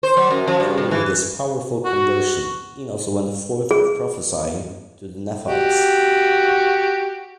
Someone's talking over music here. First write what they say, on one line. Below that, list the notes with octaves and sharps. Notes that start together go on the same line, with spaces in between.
Following this powerful conversion, Enos went forth prophesying to the Nephites.
C5
F#3
F#2
F3
G2
G2
E3
F#4
G#4
F#4 G4